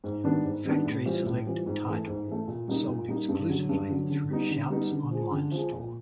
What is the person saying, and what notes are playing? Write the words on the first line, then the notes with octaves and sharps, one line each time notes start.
Factory select title, sold exclusively through Shout's online store.
G#2
D#3 G3 B3 D4
G#2
D#3 G3 B3 D4
A2
E3 G3 C4 F4
A2
E3 G3 C4 F4
G#2
E3 A3
G#2
E3 A3
A#2
G3 A#3 D#4
A#2
G3 A#3 D#4
G2
D3 F#3
G2
D3 F#3
D3
G3 B3 D#4
D3
G3 B3 D#4
D3
F3 G#3
D3
F3 G#3
A#2